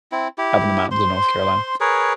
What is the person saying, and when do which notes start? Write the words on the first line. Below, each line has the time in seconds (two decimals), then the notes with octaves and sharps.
up in the mountains in North Carolina.
0.12 C4 E4
0.38 E4 G4
0.91 C5 C6
1.80 G#4 A#4 B4 C#5